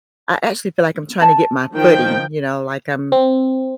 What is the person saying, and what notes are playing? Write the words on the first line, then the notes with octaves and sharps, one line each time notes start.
I actually feel like I'm trying to get my footing, you know, like I'm
A5
D#3 F3 G5
C4